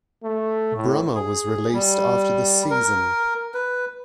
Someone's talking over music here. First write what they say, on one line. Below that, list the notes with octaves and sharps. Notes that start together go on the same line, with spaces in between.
Brummer was released after the season.
A3
A2
G#4
G3
A#4
B4